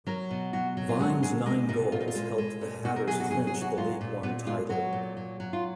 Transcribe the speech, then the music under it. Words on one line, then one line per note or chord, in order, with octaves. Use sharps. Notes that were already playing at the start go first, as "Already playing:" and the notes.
Vine's nine goals helped the Hatters clinch the League One title.
F#3 A#4
B2
F#3 F#4
F#3
F4
G#3 F#4
G#3 G#4
G#3 A#4
B2 A#4
A#2 F4
D#4
F4
G#3
G#3
A#2
B2 F#4
A#4
F#3 G#4
F#4
F#3 G#4
G#4
F#3
F#4
G#3 F4
A#2
A#2 B3
G#3 F4
F#3 F#4
A#2
F#3
F#3
F4